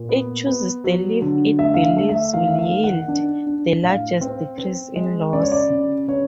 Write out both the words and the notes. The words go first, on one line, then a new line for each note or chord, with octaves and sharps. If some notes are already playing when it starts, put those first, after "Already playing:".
It chooses the leaf it believes will yield the largest decrease in loss.
Already playing: A#2
B3
B3
F#3
D3
A3 E5
F5
E5
A3
E5
D#3 F5
E5
F5
D#3
F#5
D4
D4
A2 F5
C4
C4
G#3
C#3 D5
C#5
D5
C#3
C#3 C#5